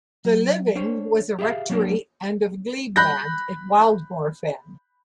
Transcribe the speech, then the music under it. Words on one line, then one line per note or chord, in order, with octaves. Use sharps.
The living was a rectory and of glebe land at Wildmoor Fen.
F#3
D4 C5 C#5
G4 G#4 C#5 E5 F5
F#3 G3 A#3 D4 A#4
B5 F#6 G6 A#6